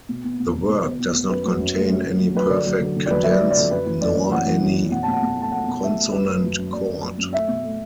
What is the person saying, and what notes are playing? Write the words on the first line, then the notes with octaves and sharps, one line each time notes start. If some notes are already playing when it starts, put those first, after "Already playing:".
The work does not contain any perfect cadence, nor any consonant chord.
B2
B3
B2
B2
B2
B3
B3
B3
F#2 B4
F#3
F#2
A3
F#2
F#2
F#3
F#3 B4
D3 D5
F#3
D3
D3
D5
F#3 B4
F#3 E5
D5
F#3
D5
D3
F#2 B4
E3
F#2 D5
F#2
E3 F#5
E3
F#2
F#2
B2 F#5
B2 A5
F#5
B2
A3 A5
A3 F#5
B2
A3 E5
A3
F#2 B4
F#2
F#3
F#2
F#2 D5
F#2
F#3
F#2
A3 E5
B2
A3